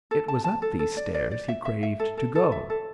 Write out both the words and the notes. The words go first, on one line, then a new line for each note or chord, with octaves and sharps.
It was up these stairs he craved to go.
A4
A5
A5
A4
A4
D5
D5
D5
E5
E5
E5
A4
A4
A4
E5
A4